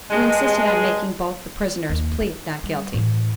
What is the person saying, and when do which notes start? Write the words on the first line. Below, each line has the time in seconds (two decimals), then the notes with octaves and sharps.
We insisted on making both the prisoners plead not guilty.
0.10 G2 G#3
1.90 D#2 A#3
2.21 D#4
2.63 G3
2.94 A2 E3